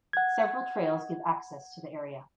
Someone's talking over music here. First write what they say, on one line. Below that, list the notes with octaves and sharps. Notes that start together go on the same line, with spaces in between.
Several trails give access to the area.
F#5 G#6